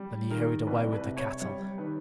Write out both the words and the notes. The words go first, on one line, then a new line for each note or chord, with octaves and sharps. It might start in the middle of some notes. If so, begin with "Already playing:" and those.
Then he hurried away with the cattle.
Already playing: G3
D#3 A#4
C2 B4
B4
C3
C#5
G3 C#5
D#3 B4